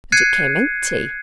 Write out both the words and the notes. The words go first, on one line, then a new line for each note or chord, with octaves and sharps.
But it came empty.
F#6 G#6 C7 C#7 D#7